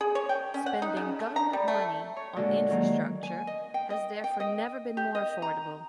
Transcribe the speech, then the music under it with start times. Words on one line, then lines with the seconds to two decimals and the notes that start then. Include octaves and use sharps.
Spending government money on infrastructure has therefore never been more affordable.
0.01 G#4
0.15 C#5
0.29 G5
0.54 C#4
0.66 F#5
0.82 D#4
0.97 C#3
1.20 A3
1.36 A#5
1.53 G3
1.68 A3
2.16 C#5
2.36 A#2 D3 G#3 F#4 A4 D5
2.70 D#3 F#3 G#3 A#3
3.23 G#5
3.47 D#5
3.74 G5
3.90 D#5
4.24 G5
4.40 D#5
4.97 G4
5.15 D#5
5.42 A#5